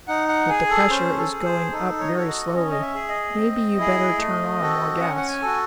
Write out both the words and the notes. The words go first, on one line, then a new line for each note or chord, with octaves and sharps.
"But the pressure is going up very slowly. Maybe you'd better turn on more gas."
D#4 F#5
F#5
G#4 G#5
A4
C#4 C5
A4
G#4
C5
D#4 A4
C#5
D#5
F#4 A4 C#5
D#5
C#4 D#5
D#5
E5
G#4
D#5
C4
E4 G#4
A3
C4 F#4 A4
C#4 F#5
F#5
G#5
F#4 A4